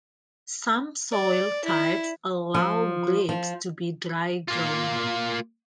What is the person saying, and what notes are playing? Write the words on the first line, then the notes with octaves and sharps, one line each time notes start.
Some soil types allow grapes to be dry-grown.
D5
E4
F3
F3
A#3 F4